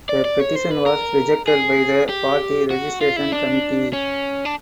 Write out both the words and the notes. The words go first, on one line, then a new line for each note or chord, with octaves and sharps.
The petition was rejected by the party registration committee.
D5
D5
C#5
C5
B4
A#4
G#4
G4
F#4
F4
E4
D4
C#4
D4